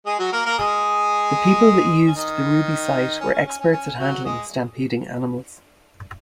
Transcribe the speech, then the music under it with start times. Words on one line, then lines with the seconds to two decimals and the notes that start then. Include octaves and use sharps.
The people that used the Ruby site were experts at handling stampeding animals.
0.05 G#3 G#4
0.19 F#3 F#4
0.32 A#3 A#4
0.45 A#3 A#4
0.58 G#3 G#4
2.07 C#4
2.15 D#3 D#4
3.20 C#4
3.33 C#4
3.46 C#4
3.59 C#4
3.72 C#4
3.99 F#3 F#4
4.25 G#3 G#4